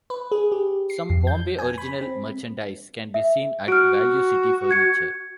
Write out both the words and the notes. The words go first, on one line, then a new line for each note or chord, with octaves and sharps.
Some Bombay Original merchandise can be seen at Value City Furniture.
B4
G#4
G4
C7
F2
G6
G#5
B5
C4
E5
F#4 F6 D7
G#6 C#7